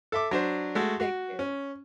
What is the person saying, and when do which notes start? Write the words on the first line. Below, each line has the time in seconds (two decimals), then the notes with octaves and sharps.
Take care.
0.12 A4 E5 D6
0.31 F#3 D4 C5
0.75 G#3 A3 F#4
1.00 F#4
1.39 C#4